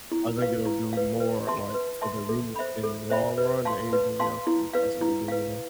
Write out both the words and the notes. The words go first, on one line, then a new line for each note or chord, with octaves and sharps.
I think it'll do more, like, for the youth in the long run than anything else we could possibly do, you know?
E4
B4 F5
E4
B4 F5
B4
E5 A5 C6
B4
E5 A5 C6
A4
C5 E5 B5
A4
C5 E5 B5
B4
F5 A5 C6
B4
F5 A5 C6
E4
B4 F5
E4
B4 F5